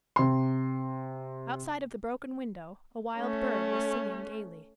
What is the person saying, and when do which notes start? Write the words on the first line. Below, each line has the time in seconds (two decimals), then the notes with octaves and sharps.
Outside of the broken window a wild bird was singing gayly.
0.16 C3 C6
3.18 A3 C#4